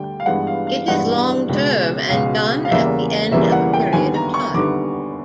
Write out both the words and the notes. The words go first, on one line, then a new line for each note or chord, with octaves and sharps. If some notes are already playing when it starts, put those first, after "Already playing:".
It is long term and done at the end of a period of time.
Already playing: D2 D3 G3 G5
F5
G2 E3 G#3 B3 F#5
F5
F5
G2 E3 G#3 B3 F#5
C#2 B2 G#3
C#2 B2 G#3 F5
F5
E2 C#3 E3 G3 A#3 E5
E2 C#3 E3 G3 A#3 E5
F#5
G5
D#2 D3 G3 B3 G#5
A#5
C#6
D#2 D3 G3 B3 D6